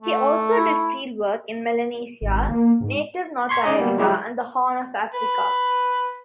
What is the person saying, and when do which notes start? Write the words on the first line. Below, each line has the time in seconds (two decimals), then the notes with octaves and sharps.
He also did fieldwork in Melanesia, Native North America and the Horn of Africa.
0.02 A3
0.56 E4
2.22 G#1
2.49 A#3
2.81 G#2
3.49 C6 C#6 G#6 B6
3.62 C#4 D#4 D5 D#5 G#5 A#5
3.76 G3 A#3 B3
3.96 F#3 G#3 E4 G4 G#4
5.14 B4